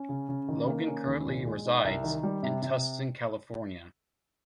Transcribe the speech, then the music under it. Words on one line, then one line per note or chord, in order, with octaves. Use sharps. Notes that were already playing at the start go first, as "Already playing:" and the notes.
Logan currently resides in Tustin, California.
Already playing: C#4
C#3
C#3
D#3
A#3
C#4
D#2
A#2
G#3
D#4
C2
D#3
G3
C3
C3